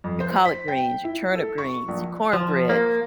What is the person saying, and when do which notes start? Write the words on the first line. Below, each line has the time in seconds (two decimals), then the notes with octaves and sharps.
your collard greens, your turnip greens, your cornbread,
0.04 F2
0.20 C5
0.45 B6
0.68 G5
1.04 E4
1.35 A4
1.58 C#6
1.88 A#1
2.33 F3
2.69 A#3